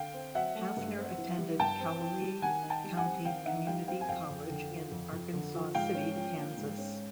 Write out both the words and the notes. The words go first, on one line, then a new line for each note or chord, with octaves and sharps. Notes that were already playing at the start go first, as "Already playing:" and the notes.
Hafner attended Cowley County Community College in Arkansas City, Kansas.
Already playing: D3 F5 G5
C4
F#3 E5 F#5
A3
G2
C4
E3
G3
G2 G5 A5
C4
E3
G3
D#3 F#5 G#5
D#4
G5 A5
G3
F#5 G#5
C4
D#3 F5 G5
D#4 E5 F#5
G3 F5 G5
C4 F5 G5
G#5
F2 F5 G5
F2
D3
F3
F2
F2
D3
F3
G#2 F5 G5
C#4
F3
A#3
G#2
C#4